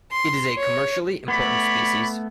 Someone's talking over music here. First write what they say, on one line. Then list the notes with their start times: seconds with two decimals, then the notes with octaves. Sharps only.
It is a commercially important species.
0.12 C6
0.58 C#5
1.28 A3 B3 C#5 D5 B5